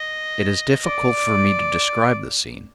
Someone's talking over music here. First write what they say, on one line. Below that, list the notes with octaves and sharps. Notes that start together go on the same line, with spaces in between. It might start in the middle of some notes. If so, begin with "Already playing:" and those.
It is difficult for me to describe the scene.
Already playing: D#5
D5